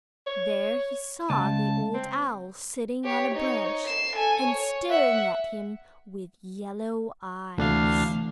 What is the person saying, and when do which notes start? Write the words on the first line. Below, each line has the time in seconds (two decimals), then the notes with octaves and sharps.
There he saw the Old Owl, sitting on a branch and staring at him with yellow eyes.
0.27 C#5
1.30 C#2 A5
1.94 C4
3.04 G4 C#5
3.34 D#4 C#5
3.86 C7 E7
4.17 A4 G#5
4.45 C#5
4.89 E5 F#5
7.58 D2 C3 E3 A3 D4 F5